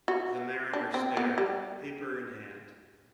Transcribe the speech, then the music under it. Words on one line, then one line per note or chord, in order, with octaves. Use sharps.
The mariner stared, paper in hand.
F#4
D4
C4
B3
G3